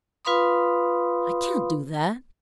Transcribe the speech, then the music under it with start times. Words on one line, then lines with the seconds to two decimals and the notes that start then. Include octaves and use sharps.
"I can't do that."
0.25 F4 B4 F5 B5 C6 D#6